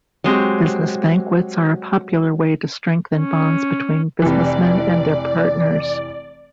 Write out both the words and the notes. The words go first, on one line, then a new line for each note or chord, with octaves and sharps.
Business banquets are a popular way to strengthen bonds between businessmen and their partners.
F#3 G#3 C4 G4
C#4
F1 E3 D5